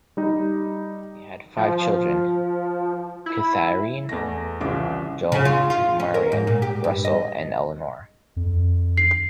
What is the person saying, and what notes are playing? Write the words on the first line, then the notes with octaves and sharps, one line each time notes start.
They had five children: Katharine, Joan, Marion, Russell, and Elinor.
G3 D#4
F3
E4
E2 A3 A#6
C2 C#3 E3 F4 D6
C#3
F4
F4
C#4
A#4
G#2
A#2
G4
G2
D#5
F2
C7